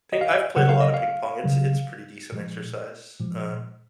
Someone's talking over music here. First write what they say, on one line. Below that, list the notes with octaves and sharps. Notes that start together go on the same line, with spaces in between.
ping I've played a lot of ping pong, it's it's pretty decent exercise, uh,
D#5
F5
D#5
C#3 F#3 F#5
F5
D#5
F5
C#3 F#3
A#2 F3 G#3
A#2 F3 G#3